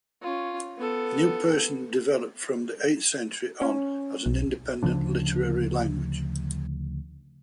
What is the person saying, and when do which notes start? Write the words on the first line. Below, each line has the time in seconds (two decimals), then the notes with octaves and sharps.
New Persian developed from the eighth century on as an independent literary language.
0.22 C#4 F4
0.78 B3 A4
3.62 C#4
4.26 B1
4.83 D2 C#3 F3 D4